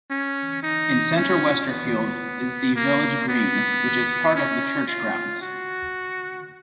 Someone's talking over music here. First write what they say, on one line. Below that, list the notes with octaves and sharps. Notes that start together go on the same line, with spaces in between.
In central Westerfield is the village green, which is part of the church grounds.
C#4
D#4
C#4
B3
A#3
B3
C#4
F4
F#4